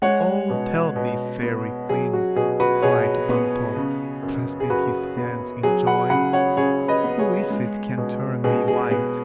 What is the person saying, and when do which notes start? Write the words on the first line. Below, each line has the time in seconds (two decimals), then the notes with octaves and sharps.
"Oh tell me, Fairy-Queen," cried Bumpo, clasping his hands in joy, "who is it can turn me white?"
0.02 G#3 C#5 F#5
0.50 B2
0.96 B2
1.43 B3
1.89 F#3 G#4
2.13 F#4
2.36 B2 G#4
2.60 F#4 B4
2.82 B2 G#4 C#5
3.29 B3
3.76 C#3
4.23 F#2
4.60 G#4
4.70 F#2 F#4 B4
5.17 B3
5.63 F#3 G#4
5.87 F#5 B5
6.10 C#3 F#5 B5
6.33 C#5 F#5
6.57 C#3 G#4 C#5
6.88 B4 D#5
7.04 B3
7.19 G#4 C#5
7.50 G#3
7.98 B2
8.44 B2 G#4
8.68 G#4
8.91 B3 G#4